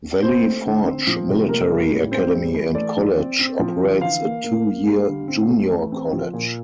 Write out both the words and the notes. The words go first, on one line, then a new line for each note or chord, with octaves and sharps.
Valley Forge Military Academy and College operates a two-year junior college.
C4 C5
A3
D3
C4
F3
C3
A#3 A#4
G3
A2
C4 C5
G3
E3
A3 D5
F3
C4
C4
F3
D3
E3 F5
A#3
A#3
A#3
G3
D3
C4
A3
E3
C4
F3
A#2